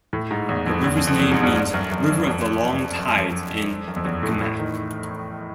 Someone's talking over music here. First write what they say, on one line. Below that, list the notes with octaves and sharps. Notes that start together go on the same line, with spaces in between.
The river's name means "river of the long tides" in Mi'kmaq.
A2
G#2
E2
F2
E2
F2
F2
E2
G#2
G2
G2
F#2
F#2
F2
F2
F#2
F#2
F2
F#2
F2
E2
A2
A2
D#3